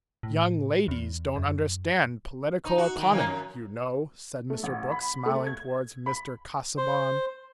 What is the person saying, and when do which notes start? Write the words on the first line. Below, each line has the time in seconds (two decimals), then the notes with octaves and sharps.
"Young ladies don't understand political economy, you know," said Mr. Brooke, smiling towards Mr. Casaubon.
0.23 A2
0.88 E2
1.36 F#2
2.65 D#4
2.78 F#4
2.97 D#3
3.11 D#3 A#3 C#4
3.26 F#2
4.50 A3
4.63 A1
4.91 B5
5.26 A3
5.47 G#6
6.06 B5
6.77 C5